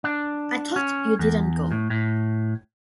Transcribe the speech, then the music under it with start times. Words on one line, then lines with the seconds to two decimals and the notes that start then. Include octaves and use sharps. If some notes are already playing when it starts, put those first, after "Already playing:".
I thought you didn't go.
0.04 D4
0.76 C#4
1.19 E2
1.71 A2
1.90 A2